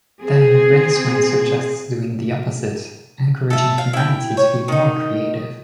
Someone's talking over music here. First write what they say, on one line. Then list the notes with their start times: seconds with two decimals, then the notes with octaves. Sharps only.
Then Rincewind suggests doing the opposite, encouraging humanity to be "more" creative.
0.22 C4 G#4
3.50 A4 E5
3.78 F5
3.93 E4 G5
4.37 C#5
4.68 D#3 D#4